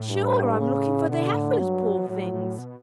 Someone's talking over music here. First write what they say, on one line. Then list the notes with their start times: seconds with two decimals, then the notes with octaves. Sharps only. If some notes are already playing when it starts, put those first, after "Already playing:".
"Sure, I'm looking for the heifers, poor things!"
Already playing: A2
0.09 G2
0.59 C#3
1.09 B2 D3
1.34 A2
1.58 G2 F#3
1.97 B2
2.09 A2 F#3
2.33 A2
2.58 B2